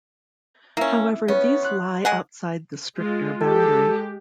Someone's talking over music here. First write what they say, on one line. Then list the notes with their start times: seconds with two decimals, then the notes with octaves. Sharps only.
However, these lie outside the stricter boundary.
0.77 A#3 C#4 E4
1.28 B3 C#4 C#5
1.62 C6 F#6
2.05 G#3 G#4 F#5
2.97 G#3 F4
3.41 G#3 G4 A4